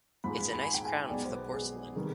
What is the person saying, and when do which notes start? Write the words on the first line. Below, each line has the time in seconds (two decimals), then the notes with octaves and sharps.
It's a nice crown for the porcelain.
0.24 G#2 F3 G#3 B5
0.38 B5
0.53 B5
0.63 G#5
0.74 G5
0.85 G#5
1.09 B1 B2 G#3 D5
1.25 C5
1.31 B4
1.52 G#4
1.95 C3 D#3 G3 B3